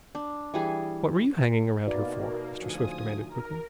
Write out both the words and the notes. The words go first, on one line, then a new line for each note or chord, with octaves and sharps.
"What were you hanging around here for?" Mr. Swift demanded quickly.
D4
E3 G3 G#4
B2 A#3 D#4 F#4 B4 D5 E5
D2 F3 G#5 D#6
A#4